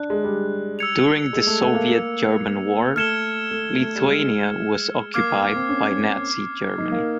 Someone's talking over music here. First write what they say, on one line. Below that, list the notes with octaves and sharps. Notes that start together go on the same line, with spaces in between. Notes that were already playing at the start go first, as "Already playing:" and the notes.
During the Soviet-German War, Lithuania was occupied by Nazi Germany.
Already playing: D4 F#6
G#3
G3
E6 G#6 C#7 F7
G#3
A3
A3
A#3
A3 F6 G#6 C#7 E7 G7
A3
A3
G3
G#3
A#3 D6 F6 G#6 C7
A#3
C4
C#4
D#4
A#3